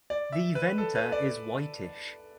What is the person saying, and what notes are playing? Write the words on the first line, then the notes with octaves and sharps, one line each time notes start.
The venter is whitish.
D5
E5
B4
A4
B4
D5